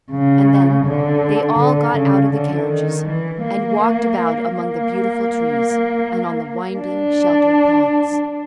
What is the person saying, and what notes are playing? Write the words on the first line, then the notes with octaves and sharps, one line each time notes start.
And then they all got out of the carriages, and walked about among the beautiful trees, and on the winding, sheltered paths.
C#3
D3
D3
C#3
D3
D#3
E3
A#3
A#3
D4